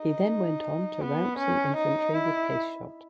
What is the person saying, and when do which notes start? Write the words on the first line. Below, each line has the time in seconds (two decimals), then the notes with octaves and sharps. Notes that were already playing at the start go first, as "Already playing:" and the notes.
He then went on to rout some infantry with case shot.
Already playing: D#4
1.01 B3
1.38 C#4
1.77 D#4
2.15 E4